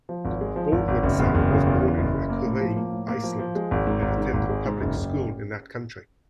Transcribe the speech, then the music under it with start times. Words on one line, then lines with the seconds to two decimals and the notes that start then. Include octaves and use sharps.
Baldwinson was born in Akureyri, Iceland, and attended public school in that country.
0.09 F3
0.25 G#1
0.41 G#3
0.56 F3
0.72 G#1
0.88 G#1
1.03 F#1
1.19 E2
1.35 F#1
1.50 C#3
1.67 E2
1.83 E3
1.98 F#1
2.14 C#3
2.30 A#3
2.45 A2
2.60 F3
2.76 A#3
2.92 A2
3.08 A#3
3.24 F3
3.39 F3
3.55 G#3
3.71 G#1
3.87 G#2
4.02 G#1
4.18 G#2
4.34 G#1
4.49 G#3
4.66 G#2
4.81 F#1
4.97 F#1